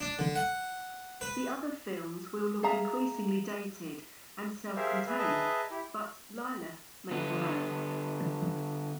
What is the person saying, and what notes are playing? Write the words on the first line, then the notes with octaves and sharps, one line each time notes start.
The other films will look increasingly dated and self-contained, but "Lilith" may grow.
D4
D3
F#5
B4
G#4 E5 F5 A#5
G4 G#4 A#4 C5 E5 F5
G#4 B4 E5
G#4 B4 D#5 E5 A5 A#5
E4 G4
D3 B3